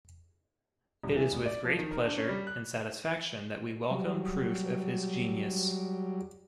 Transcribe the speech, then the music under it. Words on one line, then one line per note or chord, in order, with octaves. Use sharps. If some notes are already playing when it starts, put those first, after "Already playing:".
It is with great pleasure and satisfaction that we welcome proof of his genius.
D#1
E3
A1
D5
F3
D#3
A#4
D4
C#4
G3
F#6
F#3 G3